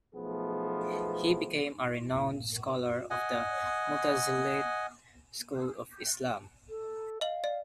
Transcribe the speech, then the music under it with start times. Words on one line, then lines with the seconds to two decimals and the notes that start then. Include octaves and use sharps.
He became a renowned scholar of the Mutazilite school of Islam.
0.14 B1 F3 A3 B3 G#4
3.10 D#5 F#5 G#5
6.69 A4
7.21 D#5 F5 F#7
7.44 D5